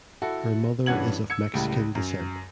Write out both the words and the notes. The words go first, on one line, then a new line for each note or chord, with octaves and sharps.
Her mother is of Mexican descent.
E4 F#4 A4
G2 E3 C#4 F#5 G#6 F#7
E6 G#6 C#7
C#2 A2 G3
F#2